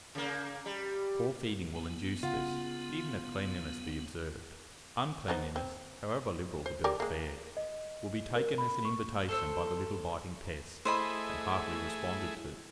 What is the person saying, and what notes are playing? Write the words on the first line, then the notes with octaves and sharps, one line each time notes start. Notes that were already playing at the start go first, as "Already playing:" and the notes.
Poor feeding will induce this, even if cleanliness be observed; uncleanliness, however liberal the bill of fare, will be taken as an invitation by the little biting pests, and heartily responded to.
C#3 A#3
G3
B3
C#3 F4 F#5
B3 D#4 C5
C4
C5
G4 A#4 D5
G#3 A#3
D#5
A#4
B5
C#6
A4 C5 E6
A3 E4 G#4 C5 D#5 B5